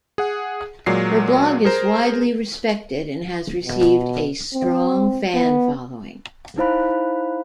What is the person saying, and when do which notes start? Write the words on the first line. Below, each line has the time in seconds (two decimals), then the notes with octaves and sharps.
Her blog is widely respected and has received a strong fan following.
0.18 G#4 F#5
0.86 A#2 F#3 G#3 A#4 D5 C7
1.64 G#4 A#4 C5 A#5
3.65 B2
4.54 C4
5.35 B3
6.58 D#4 E4 C5 F5 B5 F#6